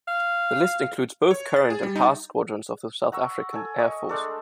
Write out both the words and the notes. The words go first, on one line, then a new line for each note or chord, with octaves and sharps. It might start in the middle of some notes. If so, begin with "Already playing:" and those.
The list includes both current and past squadrons of the South African Air Force.
F5
C#5
A6
G#4
G3
D#4
F#5 A#5 C#6 E6
A4 G#5
D#5 C#6
G#3 A3 D4 A4